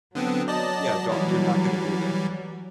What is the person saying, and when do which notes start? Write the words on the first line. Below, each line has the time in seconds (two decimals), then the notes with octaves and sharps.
Yeah, don't you're not gonna do that.
0.15 D3 F#3 B3 C4
0.48 D5 D#5 A5
1.09 E3 G3